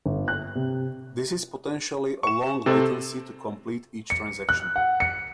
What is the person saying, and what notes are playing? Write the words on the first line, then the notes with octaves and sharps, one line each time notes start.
This is potentially a long latency to complete each transaction.
G1
F#6
C3
C#6 E7
C3 C4 A4
C#7
F#6
F#5
C#7